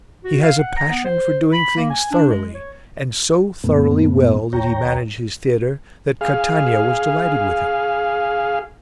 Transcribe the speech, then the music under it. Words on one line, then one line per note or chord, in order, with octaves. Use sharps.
He has a passion for doing things thoroughly, and so thoroughly well did he manage his theatre that Catania was delighted with him.
F#4
F5
F#5
A#5
B3
C5
B5
A#3
G#5
D4
G#3
C#5
F#2 A#2 A3 B3
D#2 C#5 G5 A#5
G#4 F5